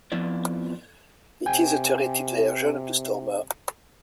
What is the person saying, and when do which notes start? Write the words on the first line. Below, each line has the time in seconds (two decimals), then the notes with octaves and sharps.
It is a turreted version of the Stormer.
0.12 F2 F3 B3 E4 D5
1.46 C3 G5 G#5